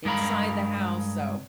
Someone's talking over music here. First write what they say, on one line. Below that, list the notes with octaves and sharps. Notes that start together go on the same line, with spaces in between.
inside the house, so,
G2 G#3 A#4 F5 B5